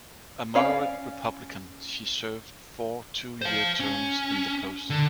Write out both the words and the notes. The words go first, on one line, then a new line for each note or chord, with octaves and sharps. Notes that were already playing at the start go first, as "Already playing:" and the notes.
A moderate Republican, she served four two-year terms in the post.
C#4 D5 F5
C5 F5
C#4
D3